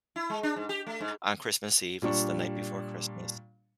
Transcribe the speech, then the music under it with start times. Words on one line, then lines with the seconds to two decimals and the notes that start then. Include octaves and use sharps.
on Christmas Eve, it's the night before Christmas,
0.16 E4
0.30 G#3
0.43 D4
0.56 G#2
0.69 G4
0.87 A3
1.01 G#2
2.02 A#2 G3 D4 C#6